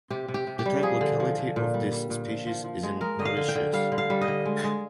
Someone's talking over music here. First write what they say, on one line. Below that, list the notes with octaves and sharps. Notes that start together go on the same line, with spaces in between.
The type locality of this species is in Mauritius.
C3 G4
C3
G4
C3
G4
G3
F3 G#4
D3
F3
D3
A#2
G3
G3
A#2
F3
F3
F3
G#3
G#3 A#4
D3 D#5
F5
D3
G5
D3
G3 F5
D3
F5
G3
D#5
D3
G#3
G#3